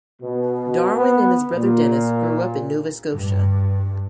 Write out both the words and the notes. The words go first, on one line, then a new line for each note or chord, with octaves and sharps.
Darwyn and his brother Dennis grew up in Nova Scotia.
B2
B3
A#2
G2